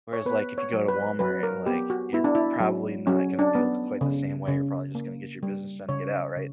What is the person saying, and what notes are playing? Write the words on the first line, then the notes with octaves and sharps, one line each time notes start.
Whereas, like, if you go to Walmart, like, you're probably not gonna feel q quite the same way, you're probably just gonna get your business done and get out, right?
C#5
B3 B4
C#5
F#3
B4
F#3 B4
A#4
B3 G4
F#4
B3 E4
D4
E4
F#3
F#3 C#4
D4
B3
C#3
C#3
A#3
G3
C#3 C#5
C#3